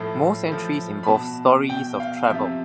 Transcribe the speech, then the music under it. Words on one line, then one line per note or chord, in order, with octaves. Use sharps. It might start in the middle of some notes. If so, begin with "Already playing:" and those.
Most entries involved stories of travel.
Already playing: A2 F3 A5
A2 F3
B5
B2 A5
B2 G5
F5
C3 F3 E5